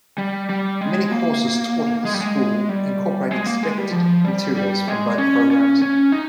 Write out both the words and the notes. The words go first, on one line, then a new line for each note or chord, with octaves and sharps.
Many courses taught at the school incorporate expected materials from both programs.
G3
G3
G#3
A#3
G#3
G3
G#3
G3
G#3
A#3
G#3
G3
F3
G3
G3
G#3
C#4
C#4
C#4
D#4